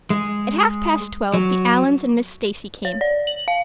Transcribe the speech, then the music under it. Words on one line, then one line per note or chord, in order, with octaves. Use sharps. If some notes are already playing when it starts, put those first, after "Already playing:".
At half past twelve the Allans and Miss Stacy came.
G#3
F#3
C#5
D5
F#7
F5